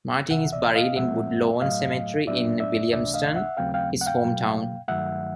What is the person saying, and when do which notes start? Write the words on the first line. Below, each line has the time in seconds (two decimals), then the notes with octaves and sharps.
Martin is buried in Woodlawn Cemetery in Williamston, his hometown.
0.31 C#2 C3 E3 E5 F#5
0.53 D5 E5
0.75 D#5 F5
0.96 A#2 F3 G#3 C4 E5 F#5
1.62 A2 F#3 A3 D#5 F5
2.27 A2 F#3 B3 D4 D5 E5
2.60 D5 E5
2.92 C#2 C3 E3 A3 D4 D5 E5
3.14 D#5 F5
3.36 E5 F#5
3.57 D#2 C#3 F#3 A3 C4 F5 G5
3.74 F5 G5
4.01 F#5
4.06 F5 G5
4.23 B2 F#3 A#3
4.88 G2 D#3 F#3 A3 E5 F#5